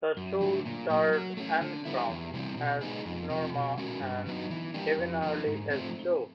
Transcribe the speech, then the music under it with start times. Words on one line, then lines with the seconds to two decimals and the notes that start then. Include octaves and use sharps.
The show starred Ann Crumb as Norma and Kevin Earley as Joe.
0.17 F#2
0.41 D3 F#3 A3
0.65 A#2
0.90 F#3 A#3
1.13 F#3
1.37 A3 C#4
1.61 D3
1.85 G3 B3 E4
2.10 E2
2.34 C3 E3 G3 C4
2.57 B2
2.81 G#3 B3 D#4 G#4
3.06 F2
3.30 C3 F3
3.54 B2
3.78 G#3 C#4 F#4 A#4
4.02 G2
4.26 D3 F#3 B3 D#4
4.50 E3
4.74 G3 A#3 D4 G4
4.99 F2
5.22 D3 F3 A#3 D#4
5.46 G#2
5.70 F3 A3 C4